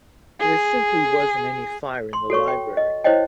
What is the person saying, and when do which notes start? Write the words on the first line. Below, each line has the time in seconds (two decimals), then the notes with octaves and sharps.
There simply wasn't any fire in the library.
0.40 G#4
2.13 C6
2.30 F#4 A4 C#5 C#6
2.48 G5
2.77 D#5
3.04 E4 C5 C#5 D#5 G5